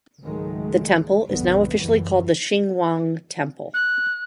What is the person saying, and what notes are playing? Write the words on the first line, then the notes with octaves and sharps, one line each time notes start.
The temple is now officially called the Shing Wong Temple.
C#2 G#2 D#3 F#3 G#3 A3
B1 F2 G#2 D3 G3 B3
C#2 F#2 E3 G3
F#6